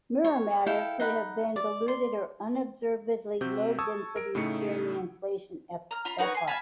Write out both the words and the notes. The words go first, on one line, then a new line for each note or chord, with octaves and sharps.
Mirror matter could have been diluted to unobservably low densities during the inflation epoch.
C#5
E4 A4 F5 G5
D#4 F#5 B5
D5
C6
C3 C4 F#4 G6
A5 C#6 D#6 E6 G#6
A#4 D7
A2 C#3 A3 D#4 C#7
A#5 F6
F4 A#5 B5
D#4 F#4 B4 C#5
G#5 C6
F5 G#5 A5 B5